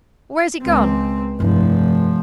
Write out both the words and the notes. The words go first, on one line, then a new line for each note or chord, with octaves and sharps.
Where's he gone?
C#2 C4
F1 G2 F3 E4